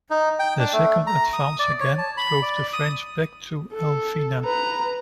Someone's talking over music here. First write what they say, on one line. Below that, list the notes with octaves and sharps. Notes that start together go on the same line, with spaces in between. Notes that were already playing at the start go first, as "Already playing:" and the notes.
The second advance again drove the French back through Elvina.
D#4
G5
D4
A3
A#5
D#6
D5
C#5
A5
B5
D5
D#6
A4
B4 A#5